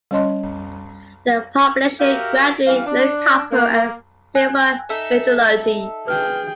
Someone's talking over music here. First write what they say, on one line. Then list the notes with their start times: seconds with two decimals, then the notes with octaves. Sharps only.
The population gradually learned copper and silver metallurgy.
0.11 G3 C#4 C#5 D#5 A5 C6
2.00 F#4 G4 A#4 E5 F5
2.66 E3 G3 C#4 F5
2.86 D4
3.51 A#3
4.35 G#5 F#6 G#6
4.89 D#4 A4 E5
6.07 G#4 B4 G5 F6